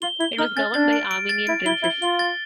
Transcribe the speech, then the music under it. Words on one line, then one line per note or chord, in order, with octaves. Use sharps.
It was governed by Armenian princes.
F4 G7
E4 G7
D#4 F6
C#4 A6
D4 A6
D7
D7
A6
E4 D7
E4 G7
E4 G7
F4 G7
A6